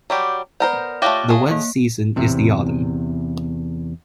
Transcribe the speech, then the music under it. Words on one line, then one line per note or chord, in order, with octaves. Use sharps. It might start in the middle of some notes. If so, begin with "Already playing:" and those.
The wettest season is the autumn.
F#3 G3 G4
B3 A#4 C5 D5
A3 F4 G4 C#5 E5 F5
A3 G#4
A#3
E2 C3